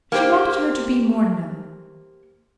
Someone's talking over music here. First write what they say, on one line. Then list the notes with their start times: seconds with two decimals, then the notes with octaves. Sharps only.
She wanted her to be more known.
0.12 A#3 G4 C5